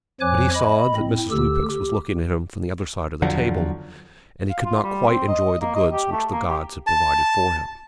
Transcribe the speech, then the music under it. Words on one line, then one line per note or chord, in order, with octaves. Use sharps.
But he saw that Mrs. Lupex was looking at him from the other side of the table, and he could not quite enjoy the goods which the gods had provided for him.
F2 F3 C#5 G#5 D6 F#6
D#5 B5
A2 C4
D2 D3 G4 E6
G4
E2 D3 F3 F#3
F5
F4
G3
C4
D#5
A#3
D#5
G4
A3
A#3
G4
A5